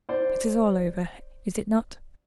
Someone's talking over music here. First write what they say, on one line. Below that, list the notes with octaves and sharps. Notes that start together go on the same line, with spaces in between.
It is all over, is it not?
C5 D5